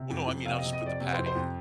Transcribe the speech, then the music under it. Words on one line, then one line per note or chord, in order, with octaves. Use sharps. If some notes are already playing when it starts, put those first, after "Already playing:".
Well, no, I mean, I'll just put the patty in
Already playing: C3
F2
F2
C3 F5
D#5
C3
D#5
F2 D5
C3
C5
F2
C5
F2